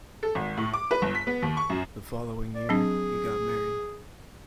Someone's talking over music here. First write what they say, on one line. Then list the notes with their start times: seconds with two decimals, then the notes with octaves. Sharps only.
The following year, he got married.
0.23 A4
0.35 G#1
0.57 A2
0.74 D6
0.91 B4
1.02 G1
1.15 B6
1.27 B3
1.42 D#2
1.57 C#6
1.70 F#2
2.54 D5
2.69 F#3 C4 D4 G#4